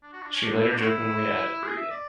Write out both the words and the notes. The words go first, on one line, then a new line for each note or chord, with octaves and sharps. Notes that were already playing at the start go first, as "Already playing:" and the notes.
She later jokingly added breathing.
D4
F#4
D4
C#4
D4
E4
D4
F#4
E4
G#4
E5
D5